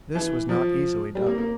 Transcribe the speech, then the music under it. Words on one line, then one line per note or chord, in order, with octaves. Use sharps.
This was not easily done.
E3
F3
G3
A#3
A#3